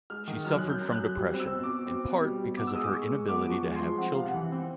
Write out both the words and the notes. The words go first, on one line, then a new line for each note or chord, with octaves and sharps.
She suffered from depression, in part because of her inability to have children.
G#3 F6
D#3
F#2 F6
F#2 F#6
G6
F#2
F#6
F#2
G3
C4
E6
B2
D6
B2
C4
B2
G3
B2
B3 D6
E6
G#3 D#6
D6
G#3 C#6
G#3
B3 D6
F3
C#6
G#3
C6
F3
C4 F#5
C3 F5
F#5
E3
C4